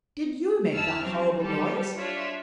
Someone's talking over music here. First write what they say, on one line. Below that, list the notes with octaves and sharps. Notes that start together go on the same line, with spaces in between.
"Did you make that horrible noise?"
F2 E4 A5 E6 F6
F#3 G3 C4 C#4
G3 G4 A4
D4 F4 C#5 D5 E5